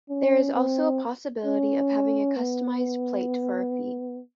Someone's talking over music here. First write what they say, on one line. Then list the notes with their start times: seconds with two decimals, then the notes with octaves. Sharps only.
There is also a possibility of having a customized plate for a fee.
0.09 C#4
0.55 C4
1.45 C#4
2.36 B3